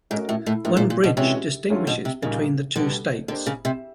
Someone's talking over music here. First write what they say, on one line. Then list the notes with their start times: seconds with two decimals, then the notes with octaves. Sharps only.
One bridge distinguishes between the two states.
0.10 G#2 A3 C#4 F#4 A#4 D#5
0.29 A2
0.46 A2
0.64 A2 F3 A#3 D4 F4
0.77 A#2
0.90 A#2
1.04 B2
1.17 C3 E3 G#3 C#4 F#4
1.70 D3 F#3 A3 C#4 F4
1.87 B2
2.05 C3
2.22 A#2 C#3 G3 A#3 D#4
2.75 B2 D3 G3 B3
3.28 D3 A#3 D4 G4 C5 D#5
3.46 C#3
3.65 C3